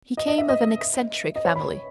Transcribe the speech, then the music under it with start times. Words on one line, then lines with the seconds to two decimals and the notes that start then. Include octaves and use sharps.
He came of an eccentric family.
0.17 D#5
0.28 D#5
0.38 E5
0.49 D#5
1.36 D#5
1.45 C#5
1.56 B5